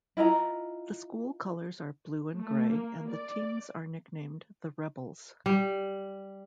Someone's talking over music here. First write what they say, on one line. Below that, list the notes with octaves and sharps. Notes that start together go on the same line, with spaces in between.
The school colors are blue and gray and the teams are nicknamed the "Rebels".
E4 F4 D#5 A#5
A3
A#3
D5
G3